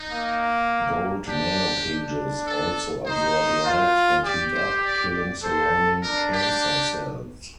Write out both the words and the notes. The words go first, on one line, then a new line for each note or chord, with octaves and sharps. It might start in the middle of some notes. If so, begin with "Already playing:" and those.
Gold nanocages also absorb light and heat up, killing surrounding cancer cells.
Already playing: D#4
A#3
D4 G4
D4
A4
D#4 C5
F4
G4 D5
C5
D5
D5
A4 C5
D4 A#4
G4